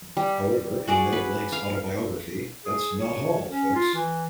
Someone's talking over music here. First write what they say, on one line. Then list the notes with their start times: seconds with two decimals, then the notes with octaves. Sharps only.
However, in Mel Blanc's autobiography, That's Not All Folks!
0.17 G3
0.88 F#4 G#4 D5
1.12 B4
1.52 F5
2.65 G#4
3.00 C#5
3.49 C#4
3.75 F4
3.95 E3